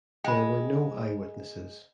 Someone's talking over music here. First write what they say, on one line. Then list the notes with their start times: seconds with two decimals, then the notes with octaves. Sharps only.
There were no eyewitnesses.
0.24 G#3 G5 B5